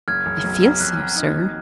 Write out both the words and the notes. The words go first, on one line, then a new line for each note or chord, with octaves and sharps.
"I feel so, sir."
F#1 F6 G#6
F#1
B1
B1
F6
F2 F#6
F2
D#4
D#2